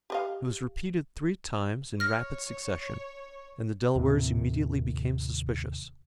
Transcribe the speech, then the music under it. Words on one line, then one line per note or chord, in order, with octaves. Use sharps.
It was repeated three times in rapid succession, and the Delawares immediately became suspicious.
G4 D#5 F5
C#5 F6 A#6
D#2 A2 C3